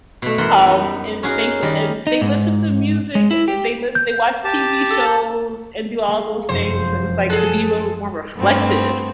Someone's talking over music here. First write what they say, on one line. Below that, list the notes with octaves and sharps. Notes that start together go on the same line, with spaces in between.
um, and think a and they listen to music, eh, they live they watch TV shows and do all those things, and it's, like, to be a little more reflective
B2 A3
F#2 E3 A#4 E5 F#5 C6
B3 D#4
C#4 D#4 F#4 G#4 A#4
D#3 G3 D#5
D#4
G#2
G#3
E4
G4
G6
G4 A5
A4
G#3 A#3
F1 F#2 C5 C#7
G#4 A4 F#6
G2 A3 B3 C4